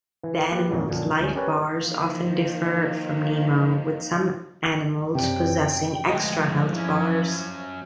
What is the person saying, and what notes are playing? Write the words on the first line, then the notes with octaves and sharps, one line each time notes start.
The animal's life-bars often differ from Nemo, with some animals possessing extra health bars.
E3
A#3 G4 B4
F2 A#2 D#3 F#3 G#3
A#1 F#2 A#2 D3
D2 D3 G#3 C#4
C#4 G4 A#4 B4 C#5 D5
D#3 F3 A#3
F#2 C3 F#3 D5 G5
D2 F3 G#3 D#5
F#3 C#4 E4